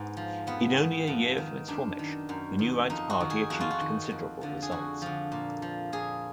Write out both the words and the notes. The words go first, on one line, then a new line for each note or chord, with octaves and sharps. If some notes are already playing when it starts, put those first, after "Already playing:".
In only a year from its formation, the New Rights Party achieved considerable results.
Already playing: G#2 B3
F3
F2 B3
D#3
F2
D#3
F#2 D4
D#3
F#2
D#3
F2 D#4
F#4
D#3
G#4
F2 F#4
F4
F#4
D#3
F2
D3 F3
G#4
F2 F#4
D3 F3
A#2
F3
A#2 G#4